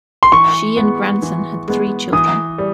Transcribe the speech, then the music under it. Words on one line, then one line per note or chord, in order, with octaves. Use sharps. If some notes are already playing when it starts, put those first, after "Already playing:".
She and Granson had three children.
C6
E3 C#6
G#3 B3
E3
G#3 B3
E3 D#6
G3